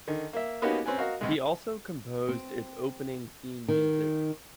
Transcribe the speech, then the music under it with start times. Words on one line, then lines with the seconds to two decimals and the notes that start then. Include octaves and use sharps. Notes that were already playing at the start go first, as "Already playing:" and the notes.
He also composed its opening theme music.
0.07 D3 D#3
0.33 A#3 E5
0.62 A#3 B3 C#4 D#4 F#4 G4
0.86 C4 C#4 B4 G#5
0.98 F#4 A#4 D#5 F5
1.21 B1 C3 G#3
2.29 C4
3.68 D#3